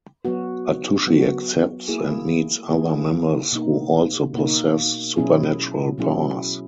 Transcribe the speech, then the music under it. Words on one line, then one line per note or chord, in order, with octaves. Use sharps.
Atsushi accepts and meets other members who also possess supernatural powers.
F#3 B3 F#4
F#3 B3 F#4
A#3 E4 G#4
A#3 E4 G#4
B2 A#3 D#4
B2 A#3 D#4
B2 F#3 C#4 E4 G#4
B2 F#3 C#4 E4 G#4